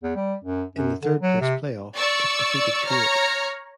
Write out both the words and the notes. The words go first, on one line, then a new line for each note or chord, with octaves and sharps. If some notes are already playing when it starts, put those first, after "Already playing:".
In the third place playoff, it defeated Kuwait.
E2
G3
F#2
F#2
D3
F#3
C3
D5 C#6 E6
C#5 A#5 F6